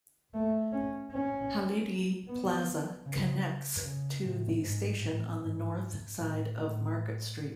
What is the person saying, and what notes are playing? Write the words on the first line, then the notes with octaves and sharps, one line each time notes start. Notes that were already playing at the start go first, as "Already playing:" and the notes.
Hallidie Plaza connects to the station on the north side of Market Street.
A3
C#4
C#4
B3
C#3
C#3
A2
G#2
A2
G#2
A2
A2